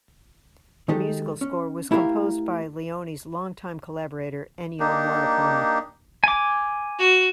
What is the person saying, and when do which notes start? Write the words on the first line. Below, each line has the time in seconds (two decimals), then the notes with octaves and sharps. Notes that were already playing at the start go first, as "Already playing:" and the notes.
The musical score was composed by Leone's long-time collaborator, Ennio Morricone.
0.88 D#3 G#3 D#4 G4 A4
1.41 C#4
1.91 A3 E4 G4 A#4 F5
4.80 A#3 D4 D#4 G4
6.24 G#5 D6
6.99 F#4